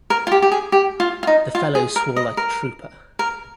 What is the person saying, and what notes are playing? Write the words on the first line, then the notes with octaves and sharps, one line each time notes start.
The fellow swore like a trooper.
A#4
F4
G4
G4
G#4
G4
F4
F4
D#4
F4
G#4
A#4
D#5
A#4
A#4